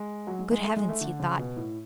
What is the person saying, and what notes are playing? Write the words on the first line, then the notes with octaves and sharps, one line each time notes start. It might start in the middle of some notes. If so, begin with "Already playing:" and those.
"Good heavens!" he thought.
Already playing: G#3
F#3
G#3
G#3
A3
G#3
A3
D3
C#3
B2
A2